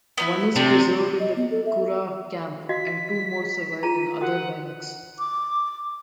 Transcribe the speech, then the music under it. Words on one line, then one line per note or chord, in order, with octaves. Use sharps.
One is preserved in the Curragh Camp and two more survive in other barracks.
B3 D#4 E4
C3 D4
D#5
B3
A4
E5
F#4 D#5 F5 B6
F4 G#4 A#5 D#7
F#4 A#4 F#5 D#6
D6